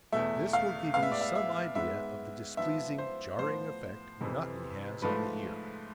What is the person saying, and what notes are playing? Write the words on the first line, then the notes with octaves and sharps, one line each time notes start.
This will give you some idea of the displeasing, jarring effect monotony has on the ear.
E2 B2 A3 E5
F5
A2 G#3 B3 F5
E5
D5
E5
E5
G#2 G#3 B3 E5
G#2 F3 B3 E5
C5
A2 F3 B3 C5
F2 C3 E3
G#2 F3 A3 B4